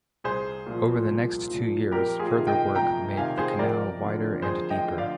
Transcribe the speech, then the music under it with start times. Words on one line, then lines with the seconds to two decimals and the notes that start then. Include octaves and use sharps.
Over the next two years, further work made the canal wider and deeper.
0.24 C2 G#4 C5
0.66 A#2 F3
1.09 C2
1.50 A#2 F3
1.91 F2 G4 A#4
2.19 F4 G#4
2.34 C3 D#3
2.47 D#5 G5
2.75 F2 G5 A#5
3.17 C3 D#3 F5 G#5
3.38 G#4 C5
3.59 F2 A#4 D5
4.01 D3 F3
4.42 F2 G#4 C5
4.70 D#5 G5
4.84 D3 F3
4.98 D5 F5